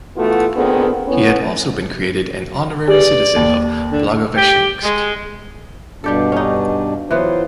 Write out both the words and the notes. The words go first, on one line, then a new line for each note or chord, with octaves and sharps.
He had also been created an honorary citizen of Blagoveshchensk.
E3 A3 B3 F4 F#4
A#2 D3 D#3 B3 C4 G#4
E3 B3 C#4
G4 G#4 B4 D5
D#2 A4
D3
G4
G#3
G2 B2 G3 D4 G4 A4
C#4 D#4
E3 F#3 B3 F4 C5